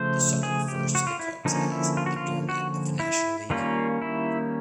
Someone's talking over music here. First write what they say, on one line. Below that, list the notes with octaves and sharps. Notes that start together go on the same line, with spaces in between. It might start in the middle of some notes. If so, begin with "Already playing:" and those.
The song refers to the Cubs as "the doormat of the National League".
Already playing: C#3 F3 A3 C5
G#4
G4
F#4
F4
E4
D3 F3 A#3 C#4 D#4
E4
F4
F#4
F4
F#4
E4
D#3 G3 A#3 C#4 F4
E4